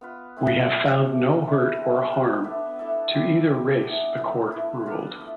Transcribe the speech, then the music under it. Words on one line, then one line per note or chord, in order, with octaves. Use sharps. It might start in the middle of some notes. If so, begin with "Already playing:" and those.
"We have found no hurt or harm to either race," the court ruled.
B3 F4 B4
A3 C4 E4
C4 F4 C5
B2 A3 D4 A4
A3 E4 B4
C4 E4 B4
B3 F4 B4
B3 D4 A4 E5
A3 E4 A4 D5
G3 C4 G4
G3 C4 G4
E3 B3 D4
A2 F3 B3 E4
A3 E4 B4
B3 D4 F4 B4
A2